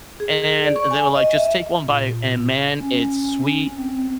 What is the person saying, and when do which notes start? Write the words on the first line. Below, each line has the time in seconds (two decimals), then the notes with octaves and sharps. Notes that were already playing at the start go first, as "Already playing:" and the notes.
And they were like, "Just take one bite." And, man, it's sweet
0.20 G#4
0.42 G#4
0.64 D5
0.76 C#6
0.91 G#5
1.16 D#5
1.34 E5
1.85 A#2
2.81 C#4
3.77 C4